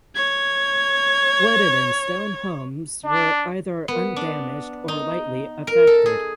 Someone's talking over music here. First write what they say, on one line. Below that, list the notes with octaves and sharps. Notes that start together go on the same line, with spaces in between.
Wooden and stone homes were either undamaged or lightly affected.
C#5 G#6
D4
B3
D4
D#4
A#4
A4
G#4